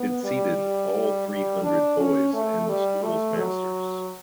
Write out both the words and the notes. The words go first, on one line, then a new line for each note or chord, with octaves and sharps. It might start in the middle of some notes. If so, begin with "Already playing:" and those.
It seated all three hundred boys and the school's masters.
Already playing: B3
G3
G3
D4
C#4
A3
G3
A3
F#3